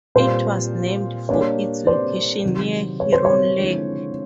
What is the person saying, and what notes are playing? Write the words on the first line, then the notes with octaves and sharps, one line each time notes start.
It was named for its location near Heron Lake.
A#2 G3 C4 F4 C5
G3 A#3 D4 G4 C#5
C5 D5
C3 D#3 F#3
C#5
C5
C#5
D3 F3 G#3 C4 E4